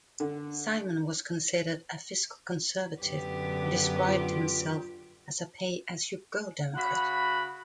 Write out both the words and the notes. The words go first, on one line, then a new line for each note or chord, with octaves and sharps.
Simon was considered a fiscal conservative, who described himself as "a pay-as-you-go Democrat".
D3
F#2 D3 B3 G4
F4
C#3 F#4 F#5 B5